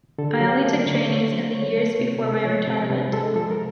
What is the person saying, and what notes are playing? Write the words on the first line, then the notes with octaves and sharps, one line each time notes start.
I only took trainings in the years before my retirement.
D3 A4
G4
F#3
G4
A3 A4
A#4
D3
D5
D3 C#5
F#3 C5
D3 C#5
A3
C3
C3
F3 C#5
C3
C3 B4
G#3 A4
F3 A4
A#4